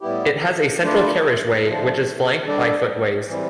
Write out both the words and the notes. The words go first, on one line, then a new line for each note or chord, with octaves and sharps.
It has a central carriageway, which is flanked by footways.
A2 G3 B3 E4 G4
A3 D4 F4 B4 D5
D3 F3 A3
G3 D4 A4 D5
E3 G3 C4